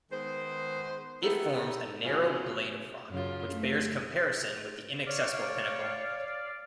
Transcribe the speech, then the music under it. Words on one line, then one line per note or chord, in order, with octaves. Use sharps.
It forms a narrow blade of rock, which bears comparison with the Inaccessible Pinnacle.
D#3 G#3 B3 C5
B3 D#4 E4 G4 A4
G#2 B2 F#3 C#4 F4 G#4
F#2 C#3 F4
A3
C#5 D5 F5